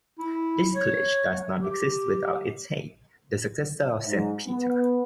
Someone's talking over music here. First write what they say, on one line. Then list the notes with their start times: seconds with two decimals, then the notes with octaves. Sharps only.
This college does not exist without its head, the successor of Saint Peter.
0.19 E4
0.75 C#5
1.59 G4
4.05 G#2
4.46 B3